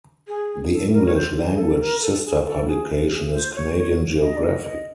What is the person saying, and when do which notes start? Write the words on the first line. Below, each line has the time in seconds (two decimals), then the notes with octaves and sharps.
The English-language sister publication is "Canadian Geographic".
0.27 G#4
0.71 A4
0.92 A#4
1.06 C#5
1.15 C5
1.52 G#4
1.58 A4
1.80 A#4
2.02 A4
2.24 G#4
2.46 A4
2.67 G#4
3.11 G#4
3.33 C5
3.55 C#5
3.77 C#5
4.21 D#5
4.37 D5
4.42 D#5
4.64 D#5